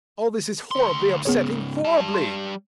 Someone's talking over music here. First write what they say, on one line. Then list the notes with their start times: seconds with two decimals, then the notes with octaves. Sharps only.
All this is horribly upsetting, horribly.
0.71 D2 C6
1.25 G#2 C#3 B3 G#4 C#5
1.85 G3 A5
2.14 C6